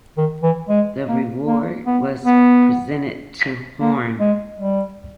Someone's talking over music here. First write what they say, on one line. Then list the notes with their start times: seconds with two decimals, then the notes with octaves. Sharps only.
The award was presented to Horne.
0.17 D#3
0.43 E3
0.69 G#3
1.08 A#3
1.47 A#3
1.86 B3
2.25 B3
3.81 A#3
4.20 G#3
4.59 G3